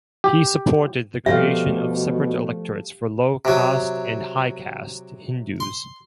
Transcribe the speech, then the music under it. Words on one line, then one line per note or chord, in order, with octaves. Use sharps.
He supported the creation of separate electorates for low caste and high caste Hindus.
G4
B2 F3 G3 A3 G4 E5 F5
C3 F#3
C6